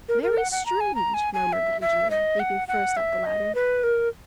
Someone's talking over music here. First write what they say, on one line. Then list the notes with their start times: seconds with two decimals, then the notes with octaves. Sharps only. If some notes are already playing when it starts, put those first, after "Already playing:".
"Very strange!" murmured the engineer, leaping first up the ladder.
0.09 A#4
0.23 A#4
0.37 F#5
0.52 F#5
0.66 A#5
0.80 G#5
0.95 A#5
1.14 G#5
1.34 G#5
1.53 E5
1.81 E5
2.10 D#5
2.39 F#5
2.68 F#5
2.97 E5
3.26 D#5
3.55 B4
3.83 A#4